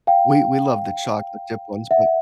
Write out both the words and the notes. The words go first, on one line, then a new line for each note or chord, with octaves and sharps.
We we loved the chocolate chip ones, but
F5 G5
E5 F#5